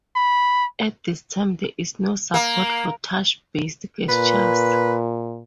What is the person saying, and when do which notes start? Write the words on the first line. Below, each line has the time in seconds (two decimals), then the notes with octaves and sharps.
At this time, there is no support for touch based gestures.
0.16 B5
2.34 A#3
4.09 A#2 B4